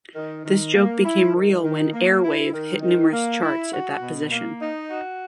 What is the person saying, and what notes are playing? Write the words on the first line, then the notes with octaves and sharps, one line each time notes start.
This joke became real when "Airwave" hit numerous charts at that position.
D#3
D#3
A#3
E4
D#3
D#3
A#3
E4
D#3
D#3
A#3
E4
F#4
B2
A#3
D#4
F#4